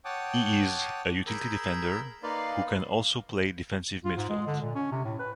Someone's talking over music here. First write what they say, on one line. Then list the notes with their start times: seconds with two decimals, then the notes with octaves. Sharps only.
He is a utility defender who can also play defensive midfield.
0.05 C#5 F#5 G5 A5 D6 D#6
1.27 G#4 A#4 B5 E6 G6
2.23 A#3 D#4 B4 D5 F5 C6
4.05 F4
4.17 G#2
4.29 G#3
4.47 D3
4.61 A#2
4.75 C#4
4.92 C3
5.05 A2
5.19 B4